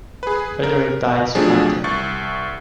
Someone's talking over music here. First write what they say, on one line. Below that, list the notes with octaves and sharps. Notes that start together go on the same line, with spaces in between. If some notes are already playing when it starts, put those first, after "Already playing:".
Frederick died soon after.
G#4 B4
A#4
F3 F#3 A3 C4 D4 G#4
C2 C#6 A6